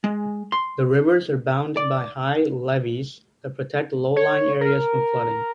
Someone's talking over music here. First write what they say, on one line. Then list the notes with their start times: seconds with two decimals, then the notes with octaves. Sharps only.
The rivers are bounded by high levees that protect low-lying areas from flooding.
0.04 G#3
0.52 C6
1.77 D5
4.16 C#5
4.61 A#4